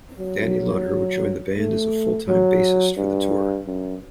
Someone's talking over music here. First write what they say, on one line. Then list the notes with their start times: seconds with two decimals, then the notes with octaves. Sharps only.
Danny Lohner would join the band as full-time bassist for the tour.
0.19 F#3
1.58 A3
2.28 F#3
2.97 G2
3.67 F#2